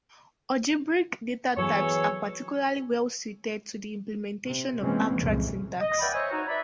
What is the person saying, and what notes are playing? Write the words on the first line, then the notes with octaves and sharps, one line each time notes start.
Algebraic data types are particularly well-suited to the implementation of abstract syntax.
E3 F#3 B3 G#4 A4 C#5
C3
C3 E3 G#3 A#3 C4 C#4
C2 F2 A#2 C#3 E3 G#3
D#5
B4 D5 E5 F#5 G5 B5
C5 C#5 D#5 E5 G#5
D#4 F#4 C#5
B4 D5 E5 B5